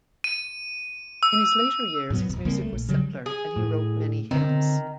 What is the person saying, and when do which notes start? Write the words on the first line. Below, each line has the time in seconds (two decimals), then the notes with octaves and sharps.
In his later years, his music was simpler, and he wrote many hymns.
0.24 D#7
1.23 E6
2.10 G#2 B2 F#3 B3
2.29 D#1 C#2
2.45 C#2 G3 A#3 C4
2.61 A3
2.73 A#1
2.89 C#3 F#3 G3
3.26 G#4
3.56 A2
4.31 D3 D#3 C4